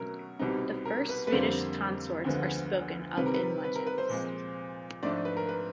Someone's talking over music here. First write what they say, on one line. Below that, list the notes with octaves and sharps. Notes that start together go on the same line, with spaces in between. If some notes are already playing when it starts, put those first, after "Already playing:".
The first Swedish consorts are spoken of in legends.
Already playing: B2 F#3 A3 C#4 A#4
C2 B2 G3 C4 D#4
A#4
B4
B4
F2 D3 G3 A#3 C5
D2 D3 F3 G#3 B3
C3 D#3 G3 C4 B4
A#4
B4
B4
A#4
B4
C5
A#2 F3 G#3 C4
G#2 F3 A3 D4 D5
B4
A#4
B4